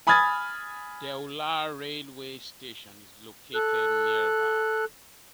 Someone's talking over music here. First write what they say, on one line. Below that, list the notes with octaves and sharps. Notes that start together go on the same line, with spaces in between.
Deula railway station is located nearby.
G#5 B5 D#6 F6 G#6 A6
A4 F#6